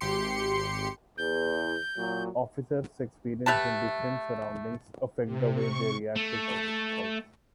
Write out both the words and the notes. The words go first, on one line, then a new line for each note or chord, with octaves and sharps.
Officers' experience in different surroundings affect the way they react to service calls.
G#1 G4 C6 C#7
E2 G6
A#2 F#3
A3 G4 B4 A5
C3
C#6
A3